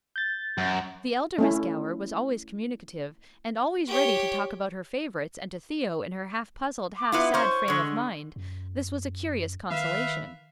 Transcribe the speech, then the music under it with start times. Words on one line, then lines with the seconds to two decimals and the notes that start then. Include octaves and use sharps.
The elder Miss Gower was always communicative, and always ready to talk about her favorites, and to Theo, in her half-puzzled, half-sad frame of mind, this was a curious consolation.
0.16 G6 A6
0.58 F#2
1.38 A3 C#4 E4
3.88 G4 C#5
6.97 D6
7.12 B3 E4 F4
7.34 C#4 C5 C#6
7.68 D3 G#3
8.36 F#2
9.71 D#3 B4 E5 F5